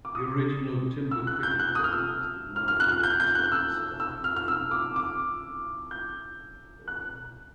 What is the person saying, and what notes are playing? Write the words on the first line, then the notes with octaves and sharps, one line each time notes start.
The original timber picket fence was demolished on southern side of building.
D6
D#6
E6
F#6
G6
F#6
D#6
F6
E6
F6
F6
F#6
F#6
G6
G6
F#6
E6
E6
F6
F6
E6
D6
D6
G6
F#6